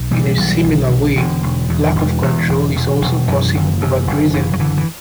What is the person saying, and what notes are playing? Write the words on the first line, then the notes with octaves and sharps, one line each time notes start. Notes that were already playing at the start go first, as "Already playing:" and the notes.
In a similar way lack of control is also causing over-grazing.
Already playing: B1
B2 E3 G3
B1
B1
B1
E1 D3
E1
E2
E1
E2
E1
E1
E1
F#2 E3
F#1
F#2
F#1
F#1 E3
F#3
D3 E3
E3